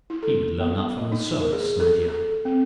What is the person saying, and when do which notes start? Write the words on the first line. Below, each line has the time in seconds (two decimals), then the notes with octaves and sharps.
"He would learn that from the servants, my dear."
0.10 E4
0.23 A4
0.60 B3
0.98 D#5
1.12 D#4
1.40 A#4
1.53 G#4
1.80 A4
2.08 A4
2.45 C4